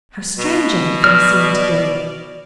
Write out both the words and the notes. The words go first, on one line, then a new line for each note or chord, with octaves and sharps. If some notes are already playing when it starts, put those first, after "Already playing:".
How strange everything seemed to-day.
B2
D5 F6